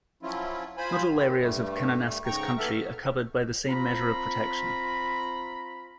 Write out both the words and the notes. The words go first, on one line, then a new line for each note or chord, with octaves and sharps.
Not all areas of Kananaskis Country are covered by the same measure of protection.
F3 F#3 C#4 E4 F4
F4 C5 G#5 B5
D#3
G2 G3 A3
G#2 C#3 G5 A#5 C#6
D#2 E3 B3 A4 E5 F6
C4 F4 A#5 B5